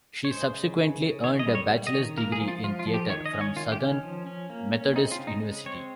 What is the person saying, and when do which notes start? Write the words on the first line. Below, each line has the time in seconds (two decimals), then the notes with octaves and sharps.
She subsequently earned a bachelor's degree in theater from Southern Methodist University.
0.25 C#5
0.31 G#3 C5
0.54 C#3
0.78 C#3
1.01 C#3
1.24 D#3 C#5
1.39 D#5
1.47 G3
1.55 C#5
1.70 G3
1.87 D#5
1.94 D#3 C#5
2.17 A#3 A#4
2.32 G#4
2.40 F3
2.48 F4
2.63 F3 F4
2.79 F4
2.87 F3
2.94 G4
3.10 D#3 C#5
3.26 D#5
3.33 C#4
3.41 C#5
3.56 D#3 F4
3.72 G4
3.80 C#4
4.03 F3
4.26 C#4
4.50 A#3
4.73 C#4
4.96 C4 D#4
5.12 F4
5.19 C#3
5.27 D#4
5.43 G#3
5.66 C4 C#5